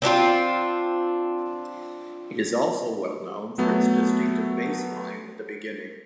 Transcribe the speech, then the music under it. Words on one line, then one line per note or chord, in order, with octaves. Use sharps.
It is also well known for its distinctive bass line at the beginning.
C4 D4 D#4 F4
F#3 A3 B3